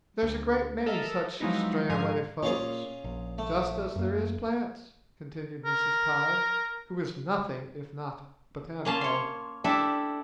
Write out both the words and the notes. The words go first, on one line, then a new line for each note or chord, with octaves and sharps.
"There's a great many such strayaway folks, just as there is plants," continued Mrs. Todd, who was nothing if not botanical.
D2
A4 A#4 D#5 E5
F3 F#3 G#3 B3 D#4 E4
G#2 F3 A#4 G#5 C7
A#2 C#4 F4 G#4
A#1
A3
F#2 A#3
A#4
A#3 C#4 A5 C6
C#5 C6
D4 E4 G4 A4 E5